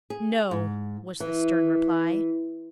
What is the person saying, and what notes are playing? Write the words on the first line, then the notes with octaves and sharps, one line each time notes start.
"No," was the stern reply.
G#4
G#2
E3